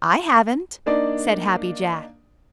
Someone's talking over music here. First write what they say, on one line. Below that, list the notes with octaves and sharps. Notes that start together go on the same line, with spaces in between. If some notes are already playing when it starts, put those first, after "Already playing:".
"I haven't," said Happy Jack.
A#3 D4 D#4 D5